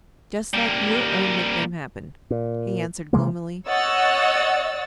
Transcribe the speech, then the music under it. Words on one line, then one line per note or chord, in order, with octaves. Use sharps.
"Just like your own nickname happened," he answered gloomily.
G3 A#3
A#2
C3 E3 G#3 A#3
C#5 D#5 F#5 E6 A6